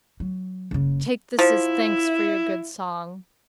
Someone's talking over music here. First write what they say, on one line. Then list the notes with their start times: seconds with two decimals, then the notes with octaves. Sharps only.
"Take this as thanks for your good song."
0.20 F#3
0.71 F#1 C#3
1.39 F3 E4